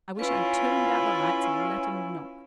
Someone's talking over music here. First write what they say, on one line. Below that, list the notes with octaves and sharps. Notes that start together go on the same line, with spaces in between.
I wish I'd turned out the lights and let 'em knock.
C#4 E4 F4 B4